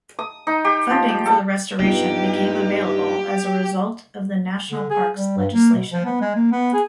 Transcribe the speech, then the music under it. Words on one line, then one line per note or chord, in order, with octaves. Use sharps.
Funding for the restoration became available as a result of the National Parks legislation.
D#6
D#4
G4
F3
G5
A4
G2 G3 B3 D#4 F4 G4
D3
G#4
G3
G2
A#3
B2
F3
B3
G#3
A#3
B3
G#4